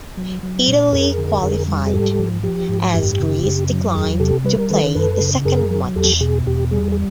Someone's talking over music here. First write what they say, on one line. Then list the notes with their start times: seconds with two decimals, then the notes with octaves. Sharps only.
Italy qualified, as Greece declined to play the second match.
0.17 F#3
0.43 F#3
0.68 A#2
0.92 F2 G#4 A#4
1.18 D3
1.43 F2
1.68 G3
1.87 G#4
1.93 G#2 G4 A4
2.19 F3
2.43 F3 G4
2.69 G#2
2.94 F#2 G4
3.20 C#3
3.45 F#2
3.69 F#3
3.95 E2 G#4
4.20 C3 G4 A4
4.45 G3 B4
4.57 A#4
4.70 D#3 A4 B4
4.95 F#2 A4 B4
5.21 C#3
5.45 F#2 G#4 A#4
5.71 F#3
5.96 E2 G4 A4
6.21 B2 G#4
6.46 E2 G4
6.71 G3 G#4
6.92 G#4